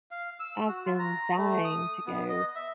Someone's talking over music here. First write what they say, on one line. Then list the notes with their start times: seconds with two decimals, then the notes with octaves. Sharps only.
I've been dying to go.
0.11 F5
0.40 E6
0.68 F#4
0.85 F4
0.99 A#5
1.37 A3
1.65 D#6
2.06 B3
2.30 D#5
2.55 E5